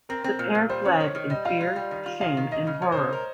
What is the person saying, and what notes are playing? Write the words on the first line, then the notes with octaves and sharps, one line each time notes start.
The pair fled in fear, shame, and horror.
C4 A#4
C4
A#2
A#2
G3 C5
C#4 C#5
D#3 C#5
D#3
G3 D#5
F4 F5
F4
G3
D#3
F4
D#3 F5
D#3
A#3 D#5
C#3
F3 C#5
C5
C#3
A#4